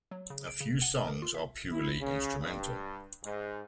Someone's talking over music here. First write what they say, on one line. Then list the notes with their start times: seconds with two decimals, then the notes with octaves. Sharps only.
A few songs are purely instrumental.
0.11 F#3
0.30 C#3
0.47 D7
0.60 C#3
0.82 F#5
1.07 A#4
1.22 F4
1.34 E5
1.70 E4
2.00 C#3
2.39 G2
3.24 G#2